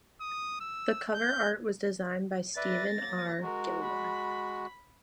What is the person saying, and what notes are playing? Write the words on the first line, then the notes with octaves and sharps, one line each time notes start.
The cover art was designed by Steven R. Gilmore.
D#6
E6
G6
B4 D5 E5 A6 A#6
F#3 A#3
G#3 F#4 A#4
B5